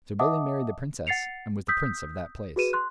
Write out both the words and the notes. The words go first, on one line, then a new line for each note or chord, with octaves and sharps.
So Billy married the princess, and was the prince of that place.
D#5 E5 F#5 A5 D6 D#6
F#5 A6 C7 C#7 F7
D#6 E6 G6 B6
F#4 G#4 B4 D#7 E7
C6 F#6